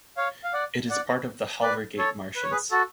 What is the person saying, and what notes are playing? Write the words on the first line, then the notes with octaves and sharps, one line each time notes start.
It is part of the Halvergate Marshes.
C#5 F5
F5
D5 F#5
D5 F#5
B4 D5
A4 C#5
B4
C#5
G#4 B4
F#4 A4